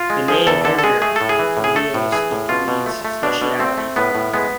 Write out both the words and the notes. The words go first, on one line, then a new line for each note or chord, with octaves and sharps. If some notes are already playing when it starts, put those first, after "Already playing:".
The name, Harrier, reveals the breed's specialty.
Already playing: F4
G#3
F3 G#4
E2 A4
D3 A4
A4
G#3 G#4
A3 G#4
A2 A4
G#4
E3
A2
G#4
A3 A4
A2
E3 G#4
A2
B2 F4
B2
A3
A3
B2 D4
B2
A3 C4
A3
A2 B3
A2
G#3 B3